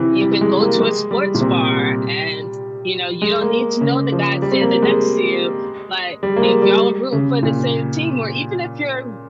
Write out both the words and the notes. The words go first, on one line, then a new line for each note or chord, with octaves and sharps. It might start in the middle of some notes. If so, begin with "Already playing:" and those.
you could go to a sports bar, and, you know, you don't need to know the guy standing next to you, but if y'all are rooting for the same team, or even if you're
Already playing: C3 E3
G3
G#3
A#3
G#3
G3
A#2
C3
G3
G#3
A#3
C#3
F3
G3
C4
A#3
G#3
G3
A#3
G#3
G3
C#3
A#2